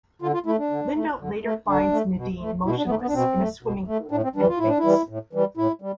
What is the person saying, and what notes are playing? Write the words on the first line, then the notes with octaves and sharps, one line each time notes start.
Linda later finds Nadine motionless in a swimming pool and faints.
D3 F4
F4
A3 E4
D4
D3
A3
D3
A3
D3 D4
A3
B2
A3
B2 E4
D4
B3
A3
B3
D4
B2 C4
A3
B2
A3
A2 D4
C4
E3 G3 D4
F4
A2 E4
D4
E4
E3 G3
A2
E3 G3
A2 E4
G3